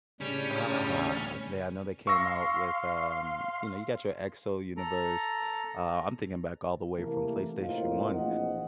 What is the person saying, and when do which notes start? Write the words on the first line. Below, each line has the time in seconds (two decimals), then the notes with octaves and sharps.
Ah man, I know they came out with, um you know, you got your Exo Universe, uh, I'm thinking back all the way from PlayStation One.
0.21 A2 C#3 G3 C#4 D4
2.07 F5 C6 C#6 E6 A#6
4.77 A4 A#5
6.96 C3 E3 A3 A#3
7.60 A2 C3 A#3 C4 D#4 F4
8.13 A#1 E3 F3 D#5 F#5